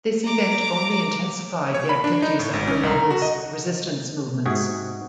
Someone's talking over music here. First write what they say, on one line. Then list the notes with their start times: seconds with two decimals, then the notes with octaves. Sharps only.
This event only intensified the activities of Grenoble's resistance movements.
0.24 A#5 D6
1.74 C#5
1.89 B5
2.04 D4
2.22 D#4
2.39 A2
2.53 G#1
2.67 C#4
2.83 C2
2.96 A#5
3.11 F#4
3.22 D#5
4.46 G#2 C3 F#4 G#4